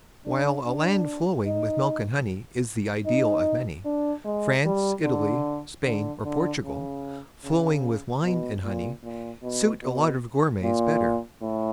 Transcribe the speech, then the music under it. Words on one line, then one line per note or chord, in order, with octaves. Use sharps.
While a land flowing with milk and honey is the ideal of many, France, Italy, Spain or Portugal, flowing with wine and honey, suit a lot of gourmets better.
D4
D4
D#4
D#4
D4
G#3
G3
D3
D3
D3
C#3
C#3
B2
A#2
A#2
B2
B2
A#2
A2